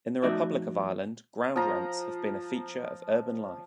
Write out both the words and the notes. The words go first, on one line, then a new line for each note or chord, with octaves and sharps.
In the Republic of Ireland ground rents have been a feature of urban life.
F2 A3 D#4 F#4 D5 E5
F3 A#5